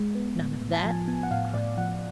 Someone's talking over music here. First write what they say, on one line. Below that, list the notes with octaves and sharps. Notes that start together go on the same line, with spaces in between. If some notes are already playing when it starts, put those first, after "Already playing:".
"None of that," he cried.
Already playing: G#3
B3
A2
A2
A5
F3 G#5
B3 G#5
F#5
A2 F5
A2 D5
F3 F#5